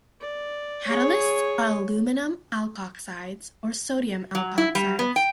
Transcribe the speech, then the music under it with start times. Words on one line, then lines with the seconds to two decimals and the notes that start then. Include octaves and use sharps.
Catalysts are aluminium alkoxides or sodium alkoxides.
0.21 D5
0.87 G#4 C#5
4.35 F#3
4.58 E4
4.75 G3
4.99 B3
5.16 G5